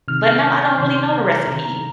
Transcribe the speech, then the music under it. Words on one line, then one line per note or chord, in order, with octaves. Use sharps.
but no, I don't really know the recipe.
C3 D#3 F6
G6
G6
G6
C3 D#3 C6
C6
A#5
A#5
C3 D#3 A#5
A#5